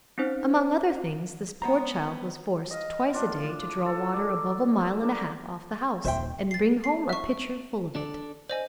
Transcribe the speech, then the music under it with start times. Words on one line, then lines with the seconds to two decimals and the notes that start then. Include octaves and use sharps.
Among other things, this poor child was forced twice a day to draw water above a mile and a half off the house, and bring home a pitcher full of it.
0.18 C4 C#4 D#4 C5
1.62 G#3 B3 C5 A#5
2.71 D#5 F5
3.13 A2 D4 F4
3.86 A4
4.13 D5
4.80 A4
5.01 D4 A#4
6.05 D#1 C5 E5 G5
6.51 A6 C7
6.84 C7
7.09 E5 C#6
7.95 D4 A4 D5
8.50 C5 D5 D#5 G#5